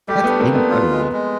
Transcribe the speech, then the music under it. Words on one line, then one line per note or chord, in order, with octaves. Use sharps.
That's incredible.
G3 A3 G4
A3 B3 D4
A#3 C4
D4
A3 B3
F4
G#3
G#3